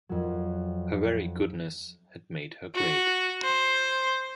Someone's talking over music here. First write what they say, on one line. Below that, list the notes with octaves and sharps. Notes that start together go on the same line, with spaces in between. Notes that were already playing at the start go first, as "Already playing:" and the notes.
Her very goodness had made her great.
F2 F#3
F#4
C5